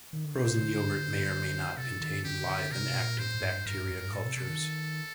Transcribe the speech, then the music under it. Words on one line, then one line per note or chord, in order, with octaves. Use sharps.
Frozen yogurt may or may not contain live and active bacteria cultures.
D#3
D3
C3 C5
D3
C3 A4
D#3
D3
D3 G4
C3
D3
C3 A#4
A#2
A2 C5
A2
G2
G2 A#4
G2
F2
G2
A2 A4
C3
C3
D#3